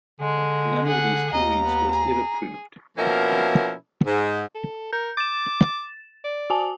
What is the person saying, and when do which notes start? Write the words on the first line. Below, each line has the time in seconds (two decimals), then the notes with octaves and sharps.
None of these theories was ever proved.
0.20 D3 G#3
0.87 G#4 F#5
1.33 D#2 D#5 A#5
1.63 B3
1.92 G#4
2.97 B2 F3 A#3 C#4 E4 A#4
4.06 G#2
4.55 A4
4.93 A#4 G6
5.17 D6 A6 E7
6.24 D5
6.50 F#4 G#5 A5